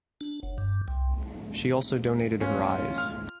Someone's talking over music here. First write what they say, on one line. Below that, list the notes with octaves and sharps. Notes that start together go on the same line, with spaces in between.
She also donated her eyes.
D4
F#1
G2
C2
C#4 F4
F6